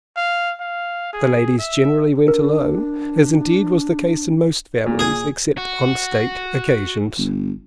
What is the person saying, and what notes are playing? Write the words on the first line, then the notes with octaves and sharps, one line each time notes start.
The ladies generally went alone; as indeed was the case in most families, except on state occasions.
F5
F5
G#4
E5
D4 A#4
A#2
G#4 G#5
F#4
G1